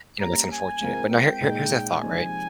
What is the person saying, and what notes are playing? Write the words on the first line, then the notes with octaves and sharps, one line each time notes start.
you know, that's unfortunate. But now here here here's a thought, right,
G3 A#3 C#4 A#5
G#5
G#3 C4 F4 A#4
G5
A#2 G#3 D#4 G#4
C3 F3 G#3 D#4 G4 G#5